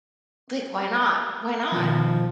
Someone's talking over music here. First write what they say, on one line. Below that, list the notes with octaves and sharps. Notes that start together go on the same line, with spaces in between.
Like, why not? Why not?
B2 D#3 F3